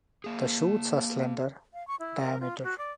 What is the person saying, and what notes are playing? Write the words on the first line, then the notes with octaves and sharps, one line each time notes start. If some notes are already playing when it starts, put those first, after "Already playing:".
The shoots are slender, diameter.
A#3 G#4
F5
C#6
E4
A#4
F4
F#4
D5